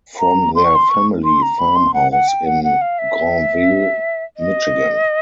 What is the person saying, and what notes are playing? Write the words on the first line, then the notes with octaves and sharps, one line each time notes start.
From their family farmhouse in Grandville, Michigan.
A#5
C6
C#6
C6
C#6
C6
A#5
B5
C6
F#5
F#5
G5
F#5
F#5
F5
E5
D#5